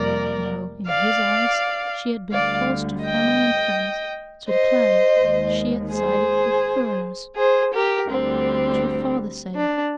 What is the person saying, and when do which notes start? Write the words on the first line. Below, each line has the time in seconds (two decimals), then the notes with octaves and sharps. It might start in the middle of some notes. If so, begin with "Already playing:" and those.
No, in his eyes she had been false to family and friends--to the clan--she had sided with "furriners." What would her father say?
Already playing: F2 C3 G3 A#3 A#4 D5
0.86 D5 F5
2.32 D2 D3 G3 D5 F5
3.04 D#5 G5
4.48 C5 D#5
5.21 D#2 D#3 G#3
5.93 G#4 C5
7.37 G#4 C5
7.73 G4 A#4
8.09 D2 D3 G3 C4
9.54 D4